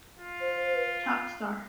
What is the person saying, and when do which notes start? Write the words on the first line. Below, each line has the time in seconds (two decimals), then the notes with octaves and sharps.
Top Star.
0.18 F4
0.40 C5
0.64 C5
0.75 B4